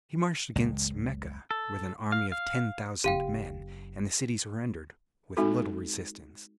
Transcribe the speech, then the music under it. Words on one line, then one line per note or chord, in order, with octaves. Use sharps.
He marched against Mecca with an army of ten thousand men, and the city surrendered with little resistance.
F#1 C#2 G#3
A4
F5
F5
F#1 G4 F5 G5
G#3 C4 D#4 F#4 A4